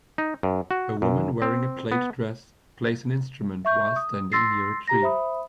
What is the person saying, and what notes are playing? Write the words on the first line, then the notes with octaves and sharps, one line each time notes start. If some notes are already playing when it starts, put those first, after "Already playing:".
A woman wearing a plaid dress plays an instrument while standing near a tree.
D#4
F#2
F#4
F#2
C4
B3
E5 C#6 G6
D#6
C6 E6 A6 A#6 C7
G4 A#5 A#6
C5 E5 B5 D#6